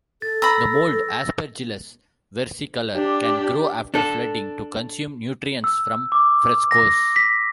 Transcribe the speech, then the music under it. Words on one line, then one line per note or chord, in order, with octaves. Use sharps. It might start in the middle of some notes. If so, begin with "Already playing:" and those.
The mold aspergillus versicolor can grow after flooding, to consume nutrients from frescoes.
A4 A6
A#5 B5 E6 A#6
D4 G4
D4 A4
E6
D6
A#6
B6